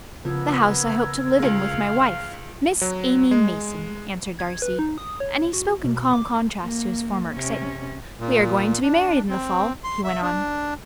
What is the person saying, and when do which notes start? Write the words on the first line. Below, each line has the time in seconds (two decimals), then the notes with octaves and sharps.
"The house I hope to live in with my wife--Miss Amy Mason," answered Darcy, and he spoke in calm contrast to his former excitement, "We are going to be married in the fall," he went on.
0.25 C#3 F3 B3 A#4 E6 G#6
1.39 C#2 G#3 F5
2.81 F#3
3.31 G#3
4.39 G#6
4.62 B4
4.79 D#4
4.98 D#6
5.20 C#5
5.53 F#4
5.84 B2
6.13 D6
6.62 A#3
7.34 C3 C#4
8.20 A#2
8.83 D4
9.29 C4
9.84 C6
10.04 E5
10.22 D4